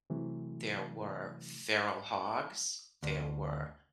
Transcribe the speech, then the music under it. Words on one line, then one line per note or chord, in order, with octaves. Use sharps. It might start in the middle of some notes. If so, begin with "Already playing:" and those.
there were feral hogs, there were
C3 E3 F#3 A3
D2